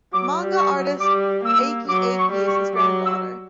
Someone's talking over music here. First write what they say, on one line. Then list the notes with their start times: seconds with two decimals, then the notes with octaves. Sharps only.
Manga artist Eiki Eiki is his granddaughter.
0.13 F#3 D6
0.42 G3
0.57 C#6
0.71 F#3
1.00 G3 D6
1.44 A#3 E6
1.88 F#3 D6
2.17 C#6
2.32 G3
2.47 C#6
2.75 F#3 D6
3.05 E6